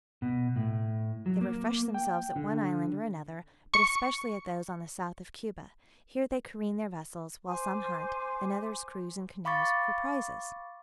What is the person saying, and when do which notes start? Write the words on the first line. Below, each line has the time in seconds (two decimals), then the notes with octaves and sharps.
They refresh themselves at one island or another, but especially at those on the south of Cuba; here they careen their vessels, while some hunt, and others cruise in canoes for prizes.
0.22 B2
0.56 A2
1.26 F#3
1.41 A#3
1.94 G5
2.36 D3
3.74 C#6 C#7
7.46 C5 G#5 C6 D6
9.45 F5 B5 C#6 D6 A6